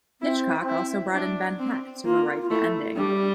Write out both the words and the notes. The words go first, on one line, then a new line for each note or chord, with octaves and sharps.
Hitchcock also brought in Ben Hecht to rewrite the ending.
C4 E4
E4
D4
C4
A#3 F4
F4
A3 E4
G3 D4